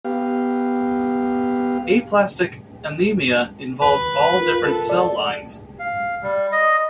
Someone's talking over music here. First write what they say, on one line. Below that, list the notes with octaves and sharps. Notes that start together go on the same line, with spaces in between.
Aplastic anemia involves all different cell lines.
B3 G4 F5
D#2 B4
F4 A#4
A4
A4 D5
F5
G3
D#5